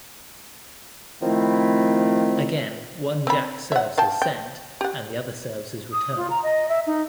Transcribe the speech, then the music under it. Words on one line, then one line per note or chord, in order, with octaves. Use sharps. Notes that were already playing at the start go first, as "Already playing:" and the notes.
Again, one jack serves as send and the other serves as return.
D#3 F3 A3 C4 E4
C4 B5
E5 F#5
F5 G5 A5
G5
G4 F#5
D#6
F4
A#5
D#5
E5
D#4